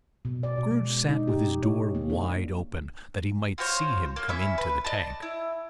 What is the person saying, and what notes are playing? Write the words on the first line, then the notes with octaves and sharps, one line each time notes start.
Scrooge sat with his door wide open, that he might see him come into the Tank.
B2
D5
B2
G#3
D#4
G4
C#5
A#3
D4
F4 F#4 C5 C#5
A#3
C#4 E4 E5
B4
D5 D#5 A5
E4